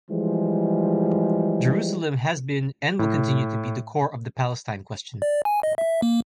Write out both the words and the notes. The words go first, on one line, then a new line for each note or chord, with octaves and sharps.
Jerusalem has been and will continue to be the core of the Palestine Question.
E3 F3 G3 G#3
A2
D5
G#5
D#5
E5
A#3